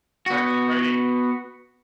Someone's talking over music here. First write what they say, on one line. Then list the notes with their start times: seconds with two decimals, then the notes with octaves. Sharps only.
actually raining
0.26 B3 F#4